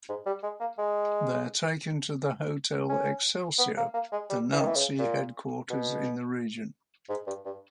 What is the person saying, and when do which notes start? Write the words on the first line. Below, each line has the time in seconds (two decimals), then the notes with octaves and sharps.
They are taken to the "Hotel Excelsior", the Nazi headquarters in the region.
0.09 G#2
0.26 G3
0.43 G#3
0.60 A#3
0.78 G#3
2.89 C#4
3.58 B3
3.77 A#3
3.94 A#3
4.12 G#3
4.29 G3
4.52 E3
4.60 D#3
4.68 E3
4.76 C#3
4.99 A#2
5.70 B2
7.09 G#2
7.27 G2
7.45 G2